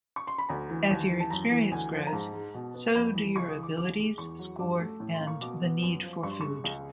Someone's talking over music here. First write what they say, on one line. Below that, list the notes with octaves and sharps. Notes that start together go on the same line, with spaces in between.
As your experience grows, so do your abilities, score and the need for food.
C#6
C6
B5
D2 A#5
E3
D#2
E3
A5
F#2 A#5
E3
D2 G#5
F3
A#5
G#2 A5
G#3
B2
B3
F2 B5
E3
C#2 C#6
D#6
E3
D6
D#2 D6
G#3
E2 C#6
F#3
G2 D6
A3
A2
C6
A#3
C#6
B2 D6
B3
F#2
F3
G2 C#6
C6
G#3 C#6
C#2